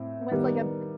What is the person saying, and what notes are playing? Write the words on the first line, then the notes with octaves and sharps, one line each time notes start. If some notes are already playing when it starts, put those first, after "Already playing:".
When it's, like, a
Already playing: A2 C4
D#3 G3 B3